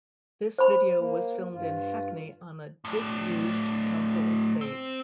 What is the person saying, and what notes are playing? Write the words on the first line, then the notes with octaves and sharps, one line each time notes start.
This video was filmed in Hackney on a dis-used council estate.
C5 B5
A#3
G2 F4
A2 D4
C4